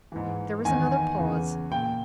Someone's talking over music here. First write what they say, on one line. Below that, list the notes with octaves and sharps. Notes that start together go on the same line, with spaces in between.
There was another pause.
G#2 E3
E2 D#3 G#5
G#5
E2 C#3 E3
A#2 G5